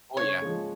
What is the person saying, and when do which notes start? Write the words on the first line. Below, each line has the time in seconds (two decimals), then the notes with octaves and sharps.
Oh, yeah.
0.17 C#3 C#5
0.42 F3 G#3